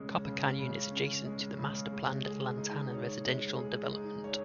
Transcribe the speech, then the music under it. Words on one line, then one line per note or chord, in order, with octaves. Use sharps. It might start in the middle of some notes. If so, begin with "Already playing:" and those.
Copper Canyon is adjacent to the master-planned Lantana residential development.
Already playing: C#3 G#3 C#4
C#3
C#3
C#4
G#3
C#3
G#3
G#4
D#4
C#5
G#3
G#4
D#4
C#5